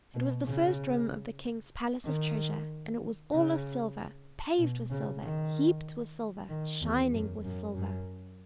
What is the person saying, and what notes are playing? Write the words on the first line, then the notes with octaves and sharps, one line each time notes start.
It was the first room of the King's palace of treasure; and it was all of silver, paved with silver, heaped with silver, shining with silver.
B2
C#3
D#3
C#3
B2
C#3
D#3
D#3
E2
F#2
F#2
F#2